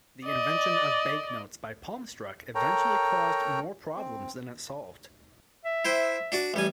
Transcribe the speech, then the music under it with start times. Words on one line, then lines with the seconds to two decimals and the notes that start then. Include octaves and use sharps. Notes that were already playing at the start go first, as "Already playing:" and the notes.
The invention of banknotes by Palmstruch eventually caused more problems than it solved.
0.25 D5 D#5
2.55 A4 A#4 C#5 G5 A#5
3.96 C4
5.65 E5
5.85 E4 C5 G5
6.32 D4 F#4 D5
6.54 A1 G3 G#5